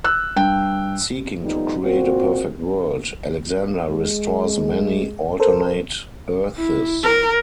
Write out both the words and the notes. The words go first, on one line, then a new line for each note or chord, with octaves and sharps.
Seeking to create a perfect world, Alexander restores many alternate Earths.
E6 F#6
G2 G5
F3 G3 A3 B3 D#4
A#2 C4 F#4
G#3
A4 A#4 C5
E4
A#4